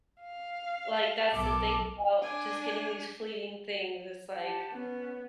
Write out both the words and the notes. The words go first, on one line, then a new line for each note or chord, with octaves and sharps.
Like, that's the thing about just getting these fleeting things. It's like
F5
B1 A4 A#4 D6
D4 G#5
G4 F#5 A5
B3 C#4